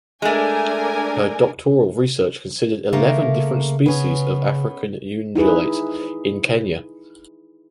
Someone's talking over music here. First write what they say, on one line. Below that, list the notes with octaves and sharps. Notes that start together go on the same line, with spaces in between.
Her doctoral research considered eleven different species of African ungulate in Kenya.
G#3 A3 D4 A#4 G#5
C#3 A3 A#3 A#4
B3 C#4 G#4
D#4 E4 G#4 B4